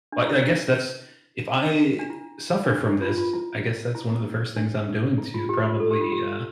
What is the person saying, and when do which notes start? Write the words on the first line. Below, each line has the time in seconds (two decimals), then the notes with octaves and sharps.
I I guess that's if I suffer from this, I guess that's one of the first things I'm doing to probably, uh,
0.12 D4
0.25 E4
1.99 D4
2.10 E4
2.71 D4
2.87 E4
3.02 F4
3.18 F4
3.33 E4
3.95 E4
4.56 D4
5.18 E4
5.34 F4
5.49 G4
5.64 F4
5.80 A4
5.91 G4
6.01 F4
6.12 G4